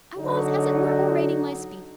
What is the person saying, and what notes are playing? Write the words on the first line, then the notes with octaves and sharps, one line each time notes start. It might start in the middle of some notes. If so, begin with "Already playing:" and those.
I was, as it were, orating my speech.
D3 F#3 D#4